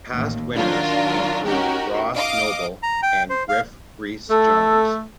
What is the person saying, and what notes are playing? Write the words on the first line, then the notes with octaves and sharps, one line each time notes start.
Past winners include Ross Noble and Griff Rhys Jones.
A1 D#2
D#3 F#3 D4 F4 A#4
C#4 D#4 F#4 G4 A#4
D#5 F5 D6 D#6
A#5
G5
C5
F5
A3 A4